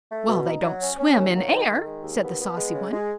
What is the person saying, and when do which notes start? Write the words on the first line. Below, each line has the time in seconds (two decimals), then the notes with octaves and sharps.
"Well, they don't swim in air," said the saucy one.
0.10 A3
0.27 B2
0.45 D#4
0.63 F#3
0.81 C#4
0.98 C#4
1.16 D#2
1.34 F#3
1.51 D#3
1.68 D#3
1.86 G#3
2.03 D#2
2.22 B3
2.39 B3
2.56 G#3
2.74 C#3
2.92 G#3